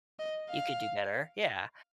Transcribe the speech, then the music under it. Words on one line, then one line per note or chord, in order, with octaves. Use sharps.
"You could do better." Yeah.
D#5
F5